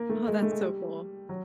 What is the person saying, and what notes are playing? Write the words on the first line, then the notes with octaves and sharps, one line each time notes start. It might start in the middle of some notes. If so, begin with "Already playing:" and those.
Oh, that's so cool.
Already playing: A#3
A3
G#3
A3
G#3
G3
F#3